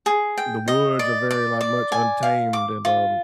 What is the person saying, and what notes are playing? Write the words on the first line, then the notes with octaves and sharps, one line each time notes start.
the woods are very, like, much untamed and, um
G#4
G5
D#5
D5
D5
D5
G#5
F5
D6
F4